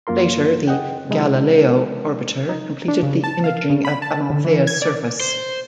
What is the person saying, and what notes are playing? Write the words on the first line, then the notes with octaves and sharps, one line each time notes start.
Later, the "Galileo" orbiter completed the imaging of Amalthea's surface.
F#2 A#3 F4 A#4 C6
G#4 D#5 F#5 G5
C3 F3 G#3 D#4 E4
D#4
D4
C#3
A5
F5
C#3
B5
A5
D3
E3
G#6
D5
C5